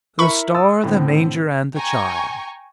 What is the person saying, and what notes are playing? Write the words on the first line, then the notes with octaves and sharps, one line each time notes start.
"The star, the manger, and the Child!"
E4 A#4 E5 B5 C#6
D#6 E6 A6
A2 D3 C4
G5 G#5 A#5 C#6